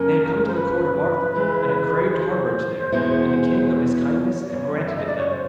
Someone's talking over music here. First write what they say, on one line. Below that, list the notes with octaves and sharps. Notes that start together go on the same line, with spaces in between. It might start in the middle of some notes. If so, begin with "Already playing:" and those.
They had come to the court of Arthur, and had craved harbourage there, and the king of his kindness had granted it them.
Already playing: F#2 C#3 F3 A#3 C#4 A#4
C5
B4
F2 C#3 E3 G#3
C5
E2 B2 G#3 B3 E4
C#5
F#2 C#3 F#3 B3
E5
D#5
D5
C#5
C#5
C5